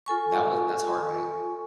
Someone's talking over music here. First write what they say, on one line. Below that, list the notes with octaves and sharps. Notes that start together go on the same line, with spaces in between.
that was that's hard, man.
F4 A4 G#5 C#6